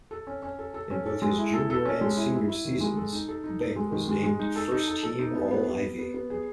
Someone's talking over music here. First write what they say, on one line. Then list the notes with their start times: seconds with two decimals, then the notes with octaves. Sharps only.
In both his junior and senior seasons, Behncke was named first team All-Ivy.
0.11 A4
0.27 C#4
0.42 C#4
0.59 A4
0.74 A4
0.90 C#4
1.06 A4
1.22 G#3
1.38 E4
1.54 A4
1.70 A4
1.85 C#4
2.01 G#3
2.17 E4
2.33 E4
2.49 E4
2.65 D#3
2.80 G#3
2.97 A4
3.13 D#4
3.29 A4
3.44 D#4
3.60 A4
3.76 G#3
3.92 D#3
4.08 G#3
4.23 G#3
4.39 D#4
4.56 A4
4.72 D#4
4.87 A4
5.03 A4
5.19 D#4
5.35 B3
5.51 B3
5.67 B3
5.82 B3
5.99 B3
6.14 B3
6.30 G#4